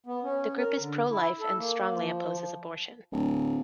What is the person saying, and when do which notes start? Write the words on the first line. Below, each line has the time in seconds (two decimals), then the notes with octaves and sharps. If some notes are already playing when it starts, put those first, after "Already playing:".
The group is pro-life and strongly opposes abortion.
0.06 B3
0.24 C#4
0.58 A#4
0.79 D3
1.10 E4
1.40 A4
1.58 A#3
1.97 F3
3.12 D1